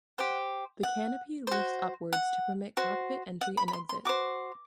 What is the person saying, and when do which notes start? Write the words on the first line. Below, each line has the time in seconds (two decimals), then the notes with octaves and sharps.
The canopy lifts upwards to permit cockpit entry and exit.
0.18 G4 C5 F#5
0.83 F#5
1.47 F#4 C5
2.13 F#5
2.77 F#4 C5
3.41 F#5
3.57 B5
3.68 B5
3.73 C6
3.89 C6
4.05 F#4 C5 D6